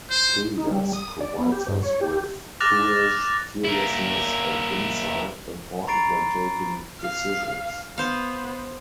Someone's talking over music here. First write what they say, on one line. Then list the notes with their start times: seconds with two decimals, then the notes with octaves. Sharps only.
Tejas provides us with courage, fearlessness and insight, important when taking decisions.
0.10 C5
0.58 D#4
0.71 G3
0.93 D#6
1.21 D5
1.39 B3
1.52 G4
1.69 G2
1.83 C#5
2.01 G4
2.60 D6 F6 F#6 A6 A#6 F7
3.65 A#3 E4
5.87 A#5 B5 C#6 A6 C7 D7
7.00 F5
7.98 B3 C5 F5